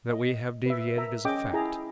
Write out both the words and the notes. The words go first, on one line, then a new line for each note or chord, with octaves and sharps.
That we have deviated is a fact.
D#5
B4 E5
A#4 E5 A#5
C#4 G#4 D#5 G5 D6
E4 G#4 A#5